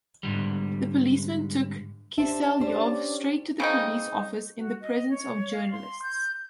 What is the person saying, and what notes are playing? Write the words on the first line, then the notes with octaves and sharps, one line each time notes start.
The policemen took Kiselyov straight to the police office in the presence of journalists.
G#2 D3 G3
D4 G4 C5 E5 A5
C#4 G4 C5 D5
C#3 C4 D#4
F#4
D#5
C#5
F5
C6
G6